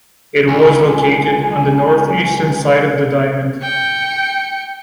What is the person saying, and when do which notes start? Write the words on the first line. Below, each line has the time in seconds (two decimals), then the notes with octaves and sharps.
It was located on the north-eastern side of The Diamond.
0.48 C#2 G#5
3.62 G5 C#7